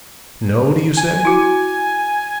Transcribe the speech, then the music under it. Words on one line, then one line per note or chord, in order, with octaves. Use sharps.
No, do you say?
G#5
E4 F#4